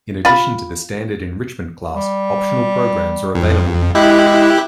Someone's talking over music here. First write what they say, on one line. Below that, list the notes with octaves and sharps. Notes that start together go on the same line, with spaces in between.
In addition to the standard enrichment class, optional programs are available.
F4 B5
G3
F2
G#3 E4 G4 F#6